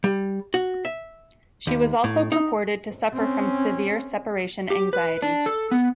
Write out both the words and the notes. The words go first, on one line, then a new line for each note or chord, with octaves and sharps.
She was also purported to suffer from severe separation anxiety.
G3
F#4
E5
D#2
A2
D#4
C4 C#4
G4
B4
D4
A4
B3